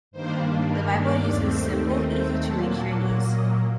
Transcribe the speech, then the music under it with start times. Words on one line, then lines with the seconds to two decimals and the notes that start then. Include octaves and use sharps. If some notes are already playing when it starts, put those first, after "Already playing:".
The Bible uses simple, easy to read Chinese.
0.11 G2 D#3 G3 A#3 D4 C5
0.70 A#4
0.98 D5
1.27 D#2 D#3 A3 C4
1.85 D#5
2.14 G5
2.43 A#2 F#3 A#3 A5
2.72 A5
3.01 F#5
3.29 D#5